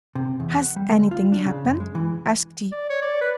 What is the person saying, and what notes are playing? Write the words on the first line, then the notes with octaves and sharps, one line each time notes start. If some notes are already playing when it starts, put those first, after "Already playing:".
'Has anything happened?' asked he.
C3
E2
F#5
G3
D2
F4
D4
C#3
F#2
G#3
E3
D5
C#5
D5
B4